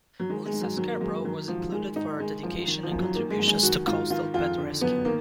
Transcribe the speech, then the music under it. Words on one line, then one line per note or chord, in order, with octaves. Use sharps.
Lisa Scarbrough was included for her dedication and contributions to Coastal Pet Rescue.
F#3
D#3 G#3
G#3
G#2
F#3
D#3 F#3
A#3
F#2 G#3
D#3 F#3
G#2 F3
D#3 G#3
G#2 D#4
D#3 G#3
F#2 F3
D#3
F3
F#2
F#3
D#3 A#3
G#3
F#2
G#3
D#3 F#4
G#2 F4
D#3 F4
F2 F4
D3
F#2 B3
D#3 A#3